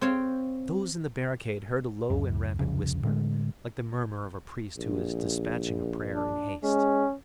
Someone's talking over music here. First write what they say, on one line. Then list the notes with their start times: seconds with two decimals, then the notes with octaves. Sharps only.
Those in the barricade heard a low and rapid whisper, like the murmur of a priest who is despatching a prayer in haste.
0.01 C4 C5 C#5 F5 G5
2.10 D1 C#2 F#2
2.59 D#1 C2 F2 C#3
3.03 A2 D3 F#3 G#3
4.78 A#1
6.15 D4
6.63 G#3 C#4